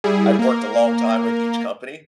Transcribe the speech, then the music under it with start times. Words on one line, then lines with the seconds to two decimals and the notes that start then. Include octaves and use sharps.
I've worked a long time with each company
0.04 G3 E4 G#4
0.39 A#3 A#4